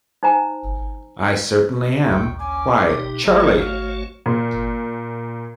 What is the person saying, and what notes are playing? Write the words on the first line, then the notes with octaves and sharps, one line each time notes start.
I certainly am — why, Charlie!
D#4 C5 G#5 A#5
A#1 D#2 G5 C#6
C#4 G#5 D6
C2 B2 D#4 G4
G#1 A3 E4 C#5 A#5
F#4 F5
A#2